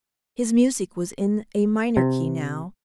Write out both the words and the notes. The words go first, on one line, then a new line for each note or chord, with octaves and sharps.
His music was in a minor key now.
C3